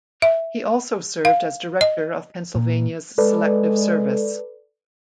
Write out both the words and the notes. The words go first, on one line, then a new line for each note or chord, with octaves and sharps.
He also served as director of Pennsylvania’s Selective Service.
E5
F5
D#5
A#2
G#3 A4 B4 D5